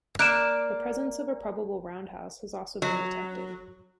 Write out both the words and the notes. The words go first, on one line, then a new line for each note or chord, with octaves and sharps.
The presence of a probable roundhouse has also been detected.
A#3 D5 F#6 D7 E7
F#3